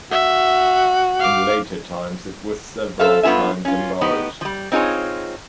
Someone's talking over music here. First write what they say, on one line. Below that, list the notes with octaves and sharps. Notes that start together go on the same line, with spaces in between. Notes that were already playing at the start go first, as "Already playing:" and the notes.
In later times it was several times enlarged.
F#4 E5
F5 D6
A4 C5 E5 F5
G2 B3 F4 G#4 E5
C#4 F4
A2 B3 D#4 G4
F3 G3
C4 D#4 F4 G#4 C#5